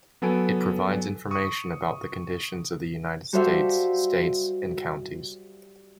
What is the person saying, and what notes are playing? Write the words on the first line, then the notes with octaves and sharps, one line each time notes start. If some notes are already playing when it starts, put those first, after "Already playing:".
It provides information about the conditions of the United States, states, and counties.
F#3 B3 A4 G#5 D7
C#6 D#6
G3 F#4 A4 C5 E5 F5